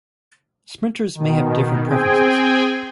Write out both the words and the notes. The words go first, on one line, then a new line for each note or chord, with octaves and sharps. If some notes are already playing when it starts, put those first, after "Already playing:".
Sprinters may have different preferences.
B2 D#3
C4 G#4 G5 G#5